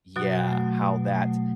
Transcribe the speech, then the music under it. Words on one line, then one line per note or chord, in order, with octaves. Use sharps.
yeah, how that
B2 F#3 F#4
F#3 A3
B2
F#3 A3